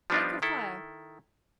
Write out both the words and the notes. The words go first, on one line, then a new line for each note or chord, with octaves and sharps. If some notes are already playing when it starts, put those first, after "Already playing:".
Make a fire.
F3 G3 B3 D4 D#4 F4
D#3 E4 A4